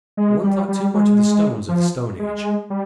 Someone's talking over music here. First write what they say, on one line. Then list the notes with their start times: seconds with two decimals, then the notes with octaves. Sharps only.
One thought too much of the stones of the Stone Age.
0.17 G#3
0.44 G3
0.69 G3
0.94 G#3
1.69 F3
2.19 G#3
2.70 G3